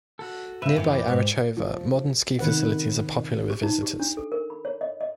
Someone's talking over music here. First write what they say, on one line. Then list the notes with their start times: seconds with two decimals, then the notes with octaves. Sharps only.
Nearby Arachova, modern ski facilities are popular with visitors.
0.19 F#4 A4
0.62 C#3 C4 B4 E5
0.76 F#2 E3 G4 B4 D6
1.08 G#2
1.57 F3
2.39 C3 D#3 B4 F#5
3.50 G4
3.63 D#4
3.83 G4
4.00 D4
4.17 A4
4.32 A#4
4.50 B5
4.65 C#5
4.81 D#5
5.01 D#5